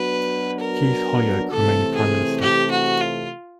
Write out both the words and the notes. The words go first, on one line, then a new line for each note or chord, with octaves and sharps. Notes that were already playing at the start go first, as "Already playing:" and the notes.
Keith Holyoake remained Prime Minister.
Already playing: F#3 B3 D4 F#4 B4
A#4
C3 E3 A3 C4 A4
G#4
G4
F#4
F4